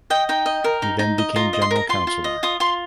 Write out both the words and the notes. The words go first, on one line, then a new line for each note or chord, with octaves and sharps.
He then became General Councillor.
D#5 G5
D#4 G5
D#5
A#4
D#4
D#4
D#5
F4 A#5
D#5
C6
A#4 A#5
F4 C6
F4
D#5
F4 D#6
F4 C6